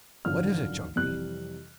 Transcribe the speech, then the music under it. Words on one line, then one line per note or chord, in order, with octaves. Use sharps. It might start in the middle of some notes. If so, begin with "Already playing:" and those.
"What is it, Chunky?"
G#1 F#2 D3 F3 F6
F2 C3 E3 G3 F#6